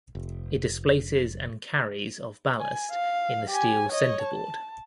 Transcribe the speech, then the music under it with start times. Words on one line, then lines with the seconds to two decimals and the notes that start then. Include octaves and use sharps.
It displaces and carries of ballast in the steel centreboard.
0.15 F1
2.60 G#5
2.91 F5
3.50 G4 G#5
3.88 C#5 D#5
4.23 A5